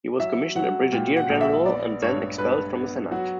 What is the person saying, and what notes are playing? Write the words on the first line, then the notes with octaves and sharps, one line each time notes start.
He was commissioned a brigadier general and then expelled from the Senate.
F#3 E5
F#3 F#5
A#2 G5
F#5
A#1
E5
B3 D5
G2 C#5
G2 B4
B3
F#3 F#4